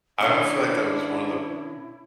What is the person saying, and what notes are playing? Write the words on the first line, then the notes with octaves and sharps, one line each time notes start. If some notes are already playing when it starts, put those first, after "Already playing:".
I I feel like that was one of the
B2 D#3 C#4 D4 E4